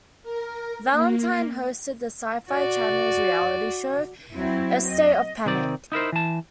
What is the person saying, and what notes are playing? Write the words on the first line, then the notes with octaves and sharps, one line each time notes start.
Valentine hosted the Sci-Fi Channel's reality show "Estate of Panic".
A#4
A#3
F#4 D5
F#3 C4 E4
D#5
C3 D#3 C4 D5
D#4 E4 A#4 C5
E3 A5